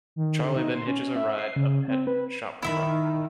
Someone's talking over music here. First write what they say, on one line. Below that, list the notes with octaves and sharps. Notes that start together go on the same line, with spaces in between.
Charlie then hitches a ride a pet shop truck.
D#3
D3
D#4
C6
C#4
E5
C7
C#3
C4
B4
D#3 E4 E5 B5